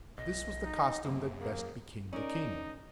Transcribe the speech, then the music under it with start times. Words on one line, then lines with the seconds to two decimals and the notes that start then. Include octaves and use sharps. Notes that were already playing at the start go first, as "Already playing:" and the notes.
This was the costume that best became the king.
0.18 B1 D#5
0.64 D#4
1.04 F#2 C3 A#3
1.40 A#3 G#4
2.13 C#4 D#4 A#4 D5